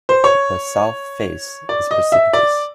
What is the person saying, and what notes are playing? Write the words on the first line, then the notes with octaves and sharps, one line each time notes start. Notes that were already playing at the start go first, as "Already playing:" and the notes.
The South Face is precipitous.
C5
C#5
D5
D#5
E5
D5